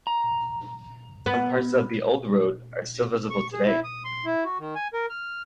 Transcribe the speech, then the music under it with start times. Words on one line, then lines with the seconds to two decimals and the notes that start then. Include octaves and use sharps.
Some parts of the old road are still visible today.
0.07 A#5
1.26 B3
3.30 C#6
3.53 G#4
3.67 E4
3.84 D#6
4.05 C6
4.26 E4
4.44 F#4
4.59 D#3
4.75 G#5
4.94 A#4
5.10 F6